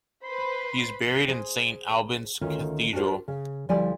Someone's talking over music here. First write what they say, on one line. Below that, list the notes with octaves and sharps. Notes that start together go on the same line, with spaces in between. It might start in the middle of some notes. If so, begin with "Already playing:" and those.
He is buried in Saint Albans Cathedral.
B4 C5 B5 C6
G#4 C5
D2 D#3 C#4 F4
D4 F#4 G4 A#4 C5
C#3
D2 F3 G3 E4 D5 G#5